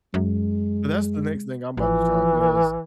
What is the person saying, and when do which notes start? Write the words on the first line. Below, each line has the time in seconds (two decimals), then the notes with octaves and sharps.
but that's the next thing I'm about to try 'cause
0.14 F#2 G#3
1.77 A1 E3 F3